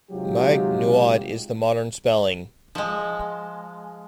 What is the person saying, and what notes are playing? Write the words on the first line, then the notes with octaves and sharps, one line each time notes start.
"Maigh Nuad" is the modern spelling.
C3 F#3 G#3 D#4 F4 G4
F3 G#3